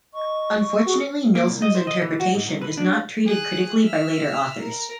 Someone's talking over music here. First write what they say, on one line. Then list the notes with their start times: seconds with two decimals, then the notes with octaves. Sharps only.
Unfortunately Nilsson's interpretation is not treated critically by later authors.
0.14 D#5 C#6
0.86 F#4 G#4
1.35 A#3
1.47 C2
1.62 D#5
1.75 C5
1.87 D#5
2.02 E3
2.20 F#4
2.35 G#2
2.47 C2
2.61 B4
2.77 D4
2.93 F5
3.25 G#4 F#6
3.83 E5 F6
4.60 A#4